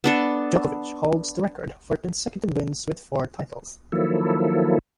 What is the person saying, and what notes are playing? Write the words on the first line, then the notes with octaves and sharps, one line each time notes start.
Djokovic holds the record for consecutive wins with four titles.
B3 D4 A4
D#3 F3 F#3 A#3 E4 A4